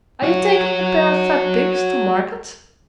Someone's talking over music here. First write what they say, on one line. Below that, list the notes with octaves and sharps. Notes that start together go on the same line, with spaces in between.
"Are you taking a pair of fat pigs to market?"
F#4 C#5